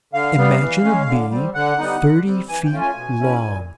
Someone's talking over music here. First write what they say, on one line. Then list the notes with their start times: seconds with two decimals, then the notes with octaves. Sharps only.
Imagine a bee thirty feet long!
0.13 D3 F5
0.38 G3 B3
0.60 E3
0.84 G#3 C#4
1.07 D3
1.31 G3 C4
1.55 D3 F#5
1.78 G3 B3 D#4
2.02 D3
2.25 G3 C4
2.49 E3 G#5
2.65 G5
2.72 A3 C#4 F4
2.81 G#5
2.96 B2
3.20 G#3 C#4 E4
3.43 A#2